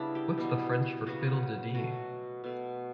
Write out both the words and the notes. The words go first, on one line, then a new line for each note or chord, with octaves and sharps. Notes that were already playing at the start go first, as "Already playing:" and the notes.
What’s the French for fiddle-de-dee?
Already playing: C#3 G3 B3 D4 E4
G4
B2 G3 B3
C#3 F#3 B3 F#4
B2 F#3 A3 F#4
B2 A3